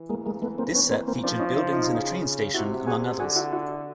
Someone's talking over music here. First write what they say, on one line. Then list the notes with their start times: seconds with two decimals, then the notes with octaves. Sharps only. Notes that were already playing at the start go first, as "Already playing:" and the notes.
This set featured buildings and a train station, among others.
Already playing: E3
0.10 G#3 A#3
0.26 G#3 A#3
0.42 A3 B3
0.58 A#3 C4
0.75 B3 C#4
0.91 A#3 C4
1.08 A#3 C4
1.24 F3 C4 D4
1.40 C#4 D#4
1.56 D4 E4
1.73 D#4 F4
1.89 C#3
2.54 C3 E4 F#4
2.87 F#4 G#4
3.20 D3 F#4 G#4
3.36 E4 F#4
3.52 E4 F#4